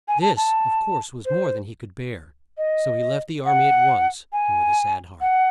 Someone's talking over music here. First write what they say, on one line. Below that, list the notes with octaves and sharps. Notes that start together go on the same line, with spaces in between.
This, of course, was more than he could bear, so he left the ar-my at once, and with a sad heart.
G#5
A5
A5
C5
D#5
F#5
G#5
F#5